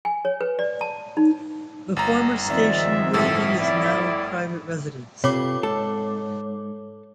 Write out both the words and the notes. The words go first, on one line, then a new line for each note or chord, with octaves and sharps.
The former station building is now a private residence.
G#5
C#5
B4
D5
A5
D#4
G1 A#5
D#3 F3 G#3 C4 D5 E5
G1 A2 A4 E5 E6
E4 D5
C3 F4 A4 B4 C#5 D6
G#2 A4